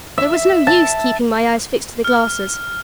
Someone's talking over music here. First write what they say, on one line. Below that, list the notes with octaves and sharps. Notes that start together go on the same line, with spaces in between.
There was no use keeping my eyes fixed to the glasses.
E5
A5
F6